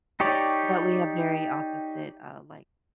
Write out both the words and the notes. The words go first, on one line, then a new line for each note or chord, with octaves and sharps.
but we have very opposite, uh, like,
D#4 G4 C#5 D5